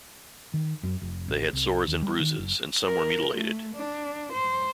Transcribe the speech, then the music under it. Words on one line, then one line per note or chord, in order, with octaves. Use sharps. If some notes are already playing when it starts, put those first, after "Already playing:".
They had sores and bruises, and some were mutilated.
D#3
F#2
F1
A1
C2
D#2
G3
D#3
F#1
A#4
A3
D4
C5